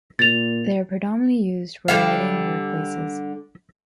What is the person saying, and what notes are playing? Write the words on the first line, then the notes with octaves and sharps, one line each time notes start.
They are predominantly used for lighting workplaces.
A#2 A6 F7
D3 G3 F5